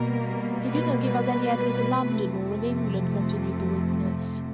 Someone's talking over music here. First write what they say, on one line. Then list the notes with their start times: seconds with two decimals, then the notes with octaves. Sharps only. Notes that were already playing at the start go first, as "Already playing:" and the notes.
"He did not give us any address in London, nor in England," continued the witness.
Already playing: B2 G3 A#3 A#4
0.71 B4
1.05 B4
2.04 F2 C3 F3 A3